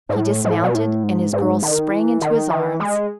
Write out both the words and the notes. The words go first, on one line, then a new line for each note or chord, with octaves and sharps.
He dismounted, and his girl sprang into his arms.
G#2
A2
A2
B2
A2
G#2
G#2
D#3
E3
D#3
E3
G#3